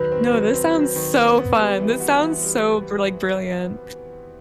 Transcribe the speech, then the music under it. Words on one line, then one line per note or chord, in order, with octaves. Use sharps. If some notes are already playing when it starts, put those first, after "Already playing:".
No, this sounds so fun. This sounds so brilli brilliant.
Already playing: D#3 F#3 B4
C4
F#3
C4
F#3
D#3
C4
B3
G3
E3
F#4
E3
G3